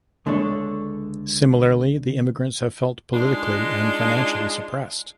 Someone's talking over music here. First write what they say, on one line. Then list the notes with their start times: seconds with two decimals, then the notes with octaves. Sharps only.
Similarly, the immigrants have felt politically and financially suppressed.
0.26 C#2 D3 G#3 D4 A4 C#5
3.14 G#3 D4 D#4 F4